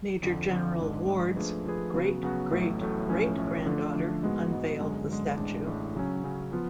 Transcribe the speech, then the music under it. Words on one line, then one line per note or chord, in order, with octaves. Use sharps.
Major General Ward's great-great-great-granddaughter unveiled the statue.
F2 D3 F3
F2 D3 F3
G#1 G#2 G#3 D4
G#1 G#2 G#3 D4
F3 A3 D4 G#4 B4
F3 A3 D4 G#4 B4
C#3 F#3 B3 F#4
C#3 F#3 B3 F#4
A1 A2 F#3 A3
A1 A2 F#3 A3
B1 A2 F3 A3 C#4
B1 A2 F3 A3 C#4
D3 F3 A3 D4
D3 F3 A3 D4
G#2 G#3 B3 F#4
G#2 G#3 B3 F#4
F#2 D3 G#3
F#2 D3 G#3
A1 A2 G#3 D4
A1 A2 G#3 D4
C#3 F#3 C#4
C#3 F#3 C#4
F3 B3 F4